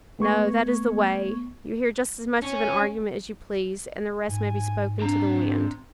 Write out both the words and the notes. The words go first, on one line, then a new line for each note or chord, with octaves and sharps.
'No; that is the way: you hear just as much of an argument as you please; and the rest may be spoken to the wind.'
A3 B3 C#6 G#6
C#4
G#2 G#5
C4 D4 A#5